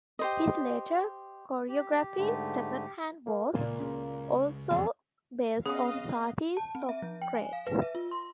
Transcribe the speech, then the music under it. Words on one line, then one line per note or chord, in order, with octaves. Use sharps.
His later choreography "Second Hand" was also based on Satie's "Socrate".
G4 C5 D#5
G4
G#2 D3 A3
A#3
C#2 A#2 A#3
C#3
E1 F2 G3 G#3
B3 C#4 G#4 D#5 F5 D#6
A5
C4
E5
F3
G5
G#5
F5
B4
E5
F4
C6